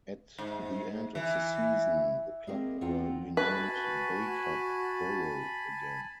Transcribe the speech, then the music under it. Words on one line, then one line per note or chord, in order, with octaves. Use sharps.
At the end of the season the club were renamed Bacup Borough again.
G#2
E3
A#3 C4 E4 G#4 A#4 D#5
E2 C4 F4 F#5 G5 A#5
F#4 B4 G#5 A5 B5